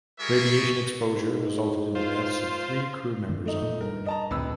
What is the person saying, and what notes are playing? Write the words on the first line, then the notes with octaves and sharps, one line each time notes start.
Radiation exposure resulted in the deaths of three crew members on board.
G3 F4 G#4 A#4 E5 C#6
G#2
F4 C5
G2 D#3 G#3
A3 D#4
A#2
G2 A#4
D#5 A5 A#5
G#1 D2 G2 A#2 B4 E6